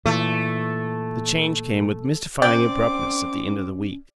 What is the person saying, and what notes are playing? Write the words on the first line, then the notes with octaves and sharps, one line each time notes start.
The change came with mystifying abruptness at the end of the week.
A#2 E3 A3
C4 C#4 D5 G5 D6